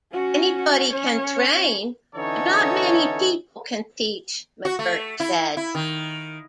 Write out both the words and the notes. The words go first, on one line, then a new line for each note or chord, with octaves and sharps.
"Anybody can train but not many people can teach," McGirt said.
C#4 F#4
C#4 C#5
D3 E3 C#4 D#4 A4 C#5
F#4
A3
E4
E4
D#3